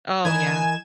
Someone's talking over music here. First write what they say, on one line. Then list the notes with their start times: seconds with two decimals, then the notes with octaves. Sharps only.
Oh, yeah.
0.25 E3 A#4 D#5 G#5 G#6 E7